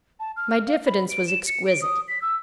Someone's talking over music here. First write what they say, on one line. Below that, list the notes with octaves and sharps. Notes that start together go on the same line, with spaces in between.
My diffidence was exquisite.
A5
F6
F5
B5
D7
E7
C#7
D7
D#6
B6
E6